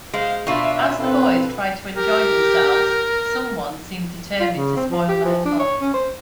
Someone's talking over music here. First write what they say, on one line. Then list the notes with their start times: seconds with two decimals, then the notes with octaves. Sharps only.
As the boys try to enjoy themselves, someone seems determined to spoil their fun.
0.13 G#3 C5 F5
0.47 B2 D4 F4 E5
1.00 C4 A4 B4
1.97 G4 A#4
4.40 F4
4.56 C#3
4.76 C4
4.91 F3
5.08 G4
5.25 F3
5.45 D4
5.59 C#5
5.81 C#4
5.94 C5